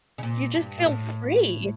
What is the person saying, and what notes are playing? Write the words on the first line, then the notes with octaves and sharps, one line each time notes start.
You just feel free.
C#3
A#2
G2
A#2
A2